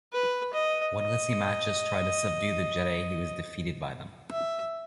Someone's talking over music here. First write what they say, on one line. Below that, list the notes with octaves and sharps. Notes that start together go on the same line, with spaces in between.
When Lysimachus tried to subdue the Getae he was defeated by them.
B4
D#5
D#5
E5